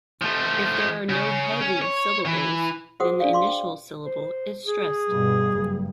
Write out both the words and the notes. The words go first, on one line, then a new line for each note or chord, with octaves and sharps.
If there are no heavy syllables, then the initial syllable is stressed.
F3 A3
C#3
C#4
C#5
E3
F#4 G#4 C5 F#5 D#6
D4 D5 F5
F5 C6 D6
G5
C5
G#4
G2 B2
F#1 G2